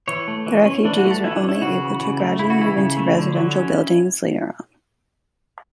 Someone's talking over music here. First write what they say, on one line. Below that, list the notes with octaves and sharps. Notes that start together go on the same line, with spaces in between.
The refugees were only able to gradually move into residential buildings later on.
E3 C#5
A3
E3
C#4
E3 D4
F#4
A3
A4
E3 E4
D4
C#4
E4
C#3 F#4
E3
C#3
A3
C#3 E4
F#4
E3 E4
C#3
A3
D3
F#3
C#4